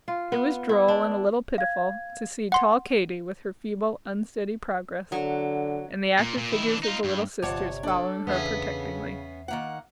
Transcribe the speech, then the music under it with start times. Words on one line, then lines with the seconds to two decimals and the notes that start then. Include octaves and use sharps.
It was droll, and a little pitiful, to see tall Katy with her feeble, unsteady progress, and the active figures of the little sisters following her protectingly.
0.08 F4
0.32 B3
0.69 E4
0.88 D4
1.58 F5 G#6
2.52 F#5 C6
5.12 D3 F#3
6.19 A#2
6.38 A#2
6.52 D#3 E4
6.66 E3 D4
6.83 D#4 F4
7.04 G2
7.42 G1 C3 F3 C#5 D5 F#5 A5 D6
7.83 D4 A4
8.27 E2 C#3 B3 C#4 E5 C7
9.48 D#3 A#3 F#5